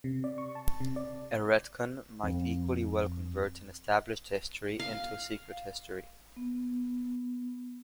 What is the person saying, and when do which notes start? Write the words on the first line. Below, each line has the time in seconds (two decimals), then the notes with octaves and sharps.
A retcon might equally well convert an established history into a secret history.
0.04 C3
0.24 D5
0.38 C#6
0.55 A5
0.80 C3
0.96 D5
2.23 F2
4.79 F5
6.36 B3